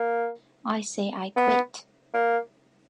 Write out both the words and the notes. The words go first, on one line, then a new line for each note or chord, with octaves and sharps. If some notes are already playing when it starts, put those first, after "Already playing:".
I say I quit.
Already playing: A#3
B3
A#3